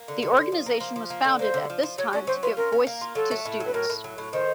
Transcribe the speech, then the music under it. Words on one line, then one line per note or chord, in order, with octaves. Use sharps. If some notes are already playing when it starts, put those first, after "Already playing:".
The organisation was founded at this time to give voice to students.
Already playing: A#3
D3
D3
D3
F3
A#3
F3
F3
A#3
D3
A#3 C5
D3
F3
F3
F#3 C#5
C#4 D5
F#3 C5
F4 B4
C#4 A#4
C#4
A#3
F4
F#3 A4
A3
A2
F#3
B4
A2 A#4
A2
F#3
A2
D#3 C5